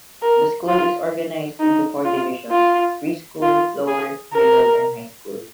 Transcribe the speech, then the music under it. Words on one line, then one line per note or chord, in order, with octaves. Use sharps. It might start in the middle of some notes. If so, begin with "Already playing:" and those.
The school is organized into four divisions: preschool, lower, middle and high school.
A#4
F4
D#4
F4
F4
F4
G#4
A#4